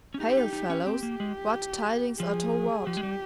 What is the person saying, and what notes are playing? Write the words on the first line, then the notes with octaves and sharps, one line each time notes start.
"Hail fellows! what tidings are toward?"
C#4
D#4 G4
D#4
D#4
C#4
C4 G4
A#3
G#3
F3 G#4
F3 G4
G#3
G3